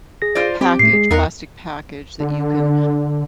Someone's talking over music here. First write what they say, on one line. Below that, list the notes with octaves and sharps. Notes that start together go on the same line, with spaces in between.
package plastic package that you can,
G#4 A#6
F4 C5 D5
C4 G4
A2 A3 C7
G#3 G#4
E2 D#4 A#4 F#5
D3